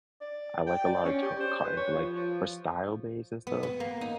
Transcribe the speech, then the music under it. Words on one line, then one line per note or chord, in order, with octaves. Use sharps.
I like a lot of cyo cotton, but, like, for style-based, and stuff
D5
G5
D5
C#4
G4
C5
B4
C#5
F3
F3
B3
B3
A#3
D#4